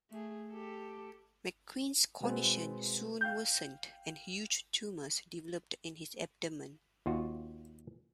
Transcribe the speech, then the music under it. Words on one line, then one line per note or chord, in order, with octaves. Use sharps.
McQueen's condition soon worsened and "huge" tumors developed in his abdomen.
A3 G#4
G4 A4
B2 G#3 B3 C4
F5 G5 G6
D#2 F4 F#4